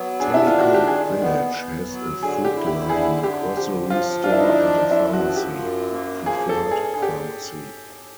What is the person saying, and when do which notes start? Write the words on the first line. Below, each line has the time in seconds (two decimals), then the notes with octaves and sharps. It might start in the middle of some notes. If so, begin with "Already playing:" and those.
Tellico Village has a Food Lion grocery store and a pharmacy, Preferred Pharmacy.
Already playing: F#3 B3
0.20 D4 G#4
0.34 E4
0.47 F4
0.54 D#3
0.60 F#4
0.74 G4
0.88 A#2 G#4
1.22 B3
1.55 B3
1.89 F#3
2.22 D3 G#4
2.45 G4
2.56 E4
2.67 G4
2.89 D3 G#4
3.24 D3 G4
3.57 F3 G4
3.90 F3 F4
4.24 D4 F4
4.32 E4
4.40 D#4
4.48 E4
4.57 F3
4.91 F#2 E4
5.13 F#4
5.25 F3
5.36 G4
5.59 F#2
5.93 A#3
6.26 F3 G#4
6.49 A4
6.59 G2
6.71 G#4
6.93 D3 G#4
7.02 G4